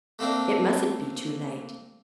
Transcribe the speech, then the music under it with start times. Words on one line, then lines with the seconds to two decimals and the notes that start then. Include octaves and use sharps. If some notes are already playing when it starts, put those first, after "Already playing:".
It mustn't be too late!
0.19 A3 A#3 C4 D4